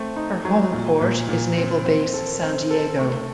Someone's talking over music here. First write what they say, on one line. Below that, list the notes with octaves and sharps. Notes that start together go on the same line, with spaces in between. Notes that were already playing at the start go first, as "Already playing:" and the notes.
Her homeport is Naval Base San Diego.
Already playing: A3 C4
D#4
F#3
A#2
A#2
A#2
C4
C4
A4
C4
A4
A3